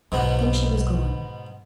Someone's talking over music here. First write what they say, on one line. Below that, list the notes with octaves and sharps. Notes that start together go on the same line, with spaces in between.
Then she was gone.
B1 G#2 B2 B3